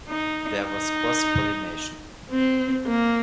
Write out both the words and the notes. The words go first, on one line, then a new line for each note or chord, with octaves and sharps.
There was cross pollination.
D#4
D#4
C4
A#3